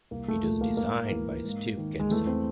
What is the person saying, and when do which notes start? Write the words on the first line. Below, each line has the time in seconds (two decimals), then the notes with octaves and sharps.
It was designed by Steve Kenson.
0.11 C2 A#3
0.28 A3
0.44 A#2 F3 A3
0.61 A#3
0.77 G#2 A#3
1.11 E3
1.45 G#2
1.77 D#3
2.00 G#3
2.10 E2 A3
2.27 C4